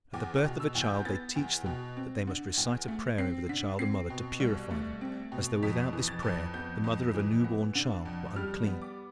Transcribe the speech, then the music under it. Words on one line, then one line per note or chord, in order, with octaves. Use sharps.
At the birth of a child they teach them that they must recite a prayer over the child and mother to purify them, as though without this prayer the mother of a newborn child were unclean.
E2 D6
B2
E6
E2
G6
B3 A6
E2
B2
C4
D3
E2
A3
C4 C7
D3 B6
C4 C7
B2
C2
A3
C4
B2
F2 B6
E3
A6
F2
B3 G6
F2
E3
B3
D3
F2
G3 F6
B3
D6